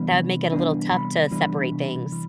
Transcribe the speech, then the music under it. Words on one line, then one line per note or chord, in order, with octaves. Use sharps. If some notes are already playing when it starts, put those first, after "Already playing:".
that would make it a little tough to separate things.
Already playing: C3 E3 G3 B3 D4 B5
C3
E3 G3 B3 D4
C3 B5
E3 G3 B3 D4
C3
E3